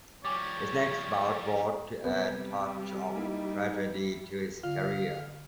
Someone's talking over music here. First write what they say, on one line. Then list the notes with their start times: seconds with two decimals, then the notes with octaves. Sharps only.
His next bout brought a touch of tragedy to his career.
0.25 F3 G3 C#5 G#5 D6
2.04 C3 G3 B3 C4
3.15 A#3 D#4 E4
4.63 D3 F4 F5